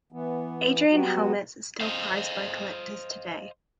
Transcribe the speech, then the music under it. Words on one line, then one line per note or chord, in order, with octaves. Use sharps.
Adrian helmets are still prized by collectors today.
E3 B3
F#3 G3 B3 F#4
C5 D#5 F5